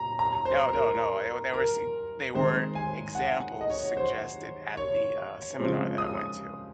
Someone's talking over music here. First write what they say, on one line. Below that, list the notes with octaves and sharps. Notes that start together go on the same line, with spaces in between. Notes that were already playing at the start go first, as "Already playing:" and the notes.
No, no, no, I oh, there were some they were examples suggested at the, uh, seminar that I went to,
Already playing: A#2 A#5
A#5
C5
A#4
A#4
D#3 G#3 C4 C5
G#5
F#5
D#5
C#5
C5
C#5
C#3 F3 G#3 C4
D#6